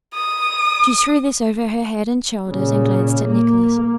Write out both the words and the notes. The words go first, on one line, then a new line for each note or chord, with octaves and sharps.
She threw this over her head and shoulders and glanced at Nicholas.
D#6
A#2 C#3
A#3